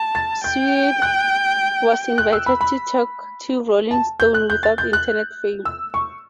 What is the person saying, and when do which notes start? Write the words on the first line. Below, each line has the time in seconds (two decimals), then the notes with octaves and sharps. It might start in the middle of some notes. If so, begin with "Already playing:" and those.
Suede was invited to talk to Rolling Stone about internet fame.
Already playing: A5
0.15 A6
0.44 G5 G6
1.02 F#6
2.18 F#6
2.33 E6
2.46 B5
2.61 B5
3.91 A5
4.20 G6
4.34 F#6
4.50 G6
4.63 A6
4.78 G6
4.93 F#6
5.65 E6
5.94 C#6